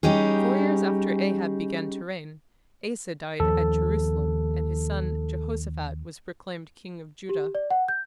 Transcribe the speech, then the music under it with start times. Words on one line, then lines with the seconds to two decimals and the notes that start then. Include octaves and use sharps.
Four years after Ahab began to reign, Asa died at Jerusalem and his son Jehoshaphat was proclaimed king of Judah.
0.03 G3 C#4 D#4 G4 G#4
3.40 D#2 F3 A4
7.29 G4
7.55 D5
7.71 F#5
7.88 G6